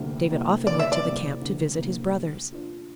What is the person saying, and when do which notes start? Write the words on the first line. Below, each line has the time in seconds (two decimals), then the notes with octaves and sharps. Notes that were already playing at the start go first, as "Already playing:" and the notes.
David often went to the camp to visit his brothers.
Already playing: D2 C3 G3 A#3 E4
0.30 C3 G3 A#3 E4
0.67 D2 D5
0.79 E5
0.92 D5
1.04 C3 G3 A#3 E4
1.41 D2
1.78 C3 G3 A#3 E4
2.16 G3
2.52 D4 F4